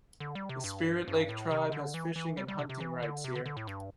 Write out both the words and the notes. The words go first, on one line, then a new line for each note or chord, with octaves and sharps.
The Spirit Lake Tribe has fishing and hunting rights here.
D3
G3
C3
G2
G2
A2
C3
D3
E3
E3
G3
G3
C3
C3
E3
D3
C3
D3
D3
A2
G2